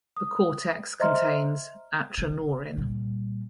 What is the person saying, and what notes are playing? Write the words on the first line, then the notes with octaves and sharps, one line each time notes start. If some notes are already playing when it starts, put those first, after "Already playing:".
The cortex contains atranorin.
D#6
C5 D#5 E5 A#5 C6 F6
C#3
A#2 G3